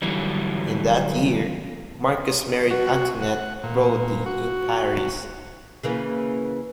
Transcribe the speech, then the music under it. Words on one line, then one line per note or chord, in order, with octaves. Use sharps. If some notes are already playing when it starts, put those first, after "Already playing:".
In that year, Marcus married Antoinette Brody in Paris.
D3 E3 F#3 G3
F#4
F#5
A#2
F#4
C#3 E3 A#3